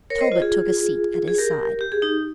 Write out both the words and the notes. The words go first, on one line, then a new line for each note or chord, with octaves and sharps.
Talbot took a seat at his side.
A#4 C#5
C5 D#5
F4
F4 G#4
G#4
G4 A#4
G4
G#4
D#4 G4